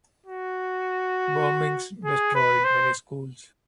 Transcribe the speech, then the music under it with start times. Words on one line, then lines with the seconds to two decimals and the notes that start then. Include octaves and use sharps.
Bombings destroyed many schools.
0.27 F#4
2.05 G#4
2.35 B4
2.64 C5